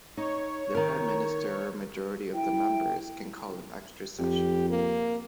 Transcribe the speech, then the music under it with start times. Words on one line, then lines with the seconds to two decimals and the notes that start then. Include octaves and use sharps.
The Prime Minister or a majority of the members can call an extra session.
0.17 D#4 C#5
0.75 D#3 A#4
2.34 E4 G5
4.19 F2 G4
4.70 A#3